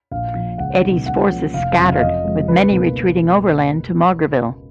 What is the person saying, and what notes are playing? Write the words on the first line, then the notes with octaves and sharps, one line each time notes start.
Eddy's forces scattered, with many retreating overland to Maugerville.
A#1 F5
A#2 F3
C#2 F#5
B2 F#3 B3 D#4
C#2 F#5
C#3 F3 A#3 C#4
F1 F5
F2 C#3 F#3
F5
F2 D#5
F3 G#3
C#2 B4
B2 A#3 D#4